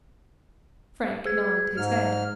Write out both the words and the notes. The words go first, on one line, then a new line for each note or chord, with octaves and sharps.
Frank nodded his head.
G#4 G#6
G#2 F6